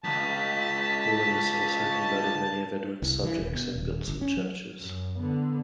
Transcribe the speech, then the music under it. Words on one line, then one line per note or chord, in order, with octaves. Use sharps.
Paulinus also converted many of Edwin's subjects and built some churches.
C#2 F#2 A5 B6
C2
E3
D#1
B2
D#1
G1
C#4
F#3
F#2
D3 B3